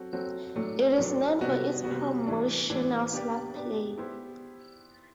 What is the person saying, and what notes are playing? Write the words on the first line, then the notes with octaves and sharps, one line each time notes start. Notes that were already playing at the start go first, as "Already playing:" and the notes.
It is known for its promotional slot play.
Already playing: F#3 C4 F#4 A4
F#3 C4 F#4 A4
A2 F#3 A3 D4
A2 F#3 A3 D4
C3 G3 B3 F#4
C3 G3 B3 F#4
A2 E3 G3 D4
A2 E3 G3 D4
B3 D4 G4 D5
B3 D4 G4 D5
B3 E4 G4 C5